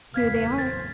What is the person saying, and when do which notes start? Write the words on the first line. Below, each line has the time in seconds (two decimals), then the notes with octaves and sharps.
"Here they are."
0.14 F#1 E2 A2 B4 F5 F6 G#6 B6
0.58 C5 A6